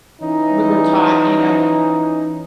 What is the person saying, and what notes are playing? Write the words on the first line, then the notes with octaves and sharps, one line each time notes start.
we were taught, you know,
E3 C#4 D#4